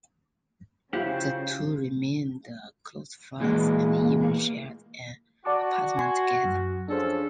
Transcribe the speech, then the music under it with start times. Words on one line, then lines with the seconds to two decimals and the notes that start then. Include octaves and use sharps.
The two remained close friends and even shared an apartment together.
0.93 C#3 E4 F4 G4 C5 F#5
3.40 A#2 E3 G#3 A#3
5.45 F#4 D5 A5 D6
5.97 G#5 C6 G#6
6.44 F#2
6.88 F3 C#4 D4 G#4 A4 C5